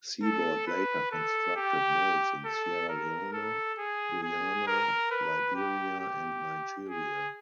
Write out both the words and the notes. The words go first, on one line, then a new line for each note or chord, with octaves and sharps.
Seaboard later constructed mills in Sierra Leone, Guyana, Liberia and Nigeria.
A4
B4
A4
G4
A4
A#4
A4
G#4
G#4
A#4
B4
G4
G4
G#4